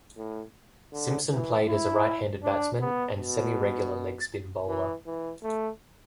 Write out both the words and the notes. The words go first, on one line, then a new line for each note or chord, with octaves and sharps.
Simpson played as a right-handed batsman and semi-regular leg spin bowler.
A2
D3
E3
E4
D4
B3
B2
E3
E3
A3